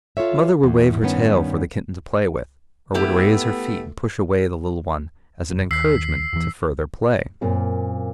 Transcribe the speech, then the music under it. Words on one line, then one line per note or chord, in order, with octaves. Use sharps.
The mother would wave her tail for the kitten to play with, or would raise her feet and push away the little one as an encouragement to further play.
F4 A4 C#5 E5
E2
G2 D#3 B3 C#4
A3 B3 E4 G4
F1
D#2 E6 B6 C7
E2 E3
F#2 A#2 A#3 C4